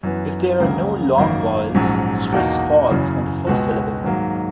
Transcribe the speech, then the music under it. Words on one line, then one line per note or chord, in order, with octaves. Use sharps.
If there are no long vowels, stress falls on the first syllable.
F#2 E3 B3
C#2 C#3 F#3 A#3
G#1 F#2 D#3 A#3
A#1 G#2 F#3 C#4
E2 B2 A#3 D#4 F#4
F#1 F#2 C#3 E3
C#2 B2 G#3 B3 F#4
G#2 D#3 F#3 A#3